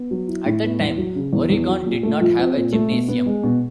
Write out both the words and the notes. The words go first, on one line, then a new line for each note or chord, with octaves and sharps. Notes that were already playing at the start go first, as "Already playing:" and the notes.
At the time, Oregon did not have a gymnasium.
Already playing: B3
F#3
E4
A2
B3
E2
F#3
C#3
E2
E2
F#3
A#2
A3
F3
C4
A#2
A3
B2
B3
G#3
B2